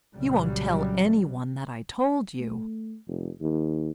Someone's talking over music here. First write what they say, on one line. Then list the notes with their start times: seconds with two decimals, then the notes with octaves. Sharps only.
"You won't tell any one that I told you?"
0.15 C2 A#2 C#3 F#3 G3
2.40 A3
3.07 F1
3.41 D#2